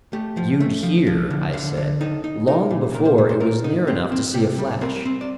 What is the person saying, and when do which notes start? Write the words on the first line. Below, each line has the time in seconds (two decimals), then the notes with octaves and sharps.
"You'd hear," I said, "long before it was near enough to see a flash."
0.13 A3 G4
0.37 F3
0.60 A3
0.83 F3
1.07 F3
1.30 D3
1.53 D3 F5
1.77 D3
2.01 D#4 A4
2.24 D#4
2.48 D#4 A#4
2.71 A#2
2.95 A#2 A#4
3.05 C5
3.18 A#2
3.29 C5
3.40 A#2 A#4
3.64 D#4
3.87 C4 G4
4.12 C4
4.34 C3 G4
4.58 G3
4.81 C4 A#4
5.05 C4
5.21 D5